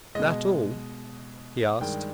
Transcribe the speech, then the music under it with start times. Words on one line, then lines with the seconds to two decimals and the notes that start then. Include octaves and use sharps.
"That all?" he asked.
0.15 B2 G#3 D#5
1.81 G2 D#3 G#3 G5